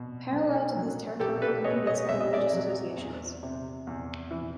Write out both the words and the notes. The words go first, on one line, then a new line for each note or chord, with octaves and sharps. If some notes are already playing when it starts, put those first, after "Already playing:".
Parallel to these territorial communities are the religious associations.
Already playing: B2
B1
F#3
B1 G4 A4
A4 B4
B2 C#5 D#5
C#5 D#5
B1 E5
D#5
D5 E5
F#3
E2
C3
E2
E3